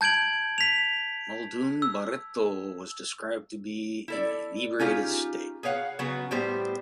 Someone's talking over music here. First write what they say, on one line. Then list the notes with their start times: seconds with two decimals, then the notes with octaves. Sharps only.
Muldoon Barreto was described to be in an inebriated state.
0.01 A5 G6 G#6 D7 F#7
0.58 B6 F7
1.82 E6
4.08 E4 A4 D5
4.79 C#4 D#4 F4 G4 G#4
5.63 G#4 B4 C#5 F5 F#5
5.99 C#3 F#3 B3 F#4
6.31 A2 G3 B3 G4 C5